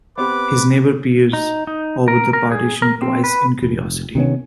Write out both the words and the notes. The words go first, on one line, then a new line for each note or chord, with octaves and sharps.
His neighbor peers over the partition twice in curiosity.
B3 C4 G4 B4 D6
D#4
D#4
A#4
A#4
G#4
A#4
C4
B4
F1
C3 D#3 B3 C#4